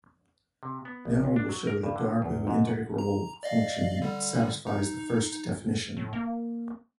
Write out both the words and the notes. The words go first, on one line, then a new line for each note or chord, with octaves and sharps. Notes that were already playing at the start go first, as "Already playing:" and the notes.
Now we will show that a Darboux integrable function satisfies the first definition.
C3
B3
A#1
C#2
D4
F#3
A#4
G2
D3
E2
G#2
F#5
A#5
D5 D#5 F5
D3 G3
D#4
A2
A#3